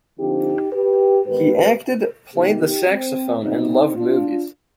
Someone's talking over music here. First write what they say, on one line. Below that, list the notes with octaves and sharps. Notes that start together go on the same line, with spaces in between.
He acted, played the saxophone, and loved movies.
D3 F3 C4 D#4 G4
G4 B4
G#2 D#3 B3 G4 B4
C3 D#3 B3 D#4 G4
C4
C3 G3 B3 C4 D#4
D4 F4